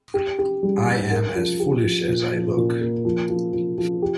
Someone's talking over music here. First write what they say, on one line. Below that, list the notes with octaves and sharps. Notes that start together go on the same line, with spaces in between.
I am as foolish as I look.
G4
G4
G3
G3
A#4
F3
G4
F3
A#2
F3
A#2
A#3
F3
F3
F3
F3
G4